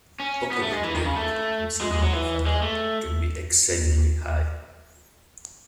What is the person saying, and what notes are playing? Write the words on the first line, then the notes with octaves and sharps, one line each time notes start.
Open loop gain, in some amplifiers, can be exceedingly high.
C#4
B3
A3
G#3
E3
D#3
C#3
A3
G#3
G#3
F#3
E3
G#3
A3